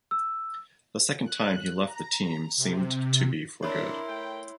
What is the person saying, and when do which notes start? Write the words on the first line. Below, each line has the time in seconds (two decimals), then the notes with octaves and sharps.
The second time he left the team seemed to be for good.
0.11 E6
1.24 F#6
1.84 A#5
2.57 C3
3.63 C4 D4 E4 A#4 C#5 E5 B5 C6
4.08 A3 G5